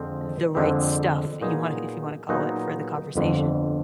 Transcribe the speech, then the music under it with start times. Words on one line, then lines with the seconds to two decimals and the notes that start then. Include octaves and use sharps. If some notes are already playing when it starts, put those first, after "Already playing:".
The right stuff, you wanna if you wanna call it, for the conversation.
Already playing: F2 D3 F3 G#3 C4
0.55 F2 D3 F3 G#3 C4
1.41 A#2 F#3 B3 D#4 G#4
2.29 A#2 F#3 B3 D#4 G#4
3.16 G1 F2 D3